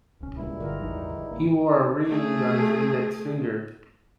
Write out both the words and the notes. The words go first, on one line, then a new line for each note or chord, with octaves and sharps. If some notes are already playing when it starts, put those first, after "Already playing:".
He wore a ring on his index finger.
D1 C2 C#4
G2 A#2 C#3 G3 G#3 E4
G1 D3 F4 A#4
A1 E2 F3 D#4
D3
A1 A#3
A3 G#4